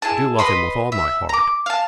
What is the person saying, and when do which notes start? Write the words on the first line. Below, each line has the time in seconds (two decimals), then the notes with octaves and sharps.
I do love him with all my heart.
0.02 E4 G#4 A5
0.39 B4 D#5 B5 C6
0.92 E5
1.29 A#5 D6
1.66 F5 A5